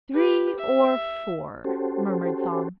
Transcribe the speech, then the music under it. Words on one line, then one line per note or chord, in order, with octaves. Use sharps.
"Three or four," murmured Thong.
G4 B4
E5
C#4 F#4 G4 A4 C5